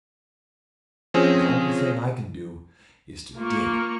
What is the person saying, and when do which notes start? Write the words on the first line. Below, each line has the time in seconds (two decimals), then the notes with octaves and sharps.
The only thing I can do is to dig.'
1.14 F3 C4 C#4 G#4
3.38 A#3 F4 C#6